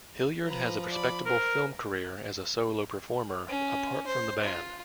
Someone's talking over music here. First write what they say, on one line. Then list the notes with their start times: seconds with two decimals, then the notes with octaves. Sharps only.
Hilliard had a respectable film career as a solo performer, apart from the band.
0.47 F3 B4 A#5
0.90 D5 B5
1.26 A#4 C5
3.48 C#4
4.07 C5
4.43 F4